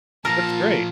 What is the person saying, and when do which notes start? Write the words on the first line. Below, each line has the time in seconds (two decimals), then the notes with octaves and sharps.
That's great.
0.25 A#2 F3 F4 A#4 A5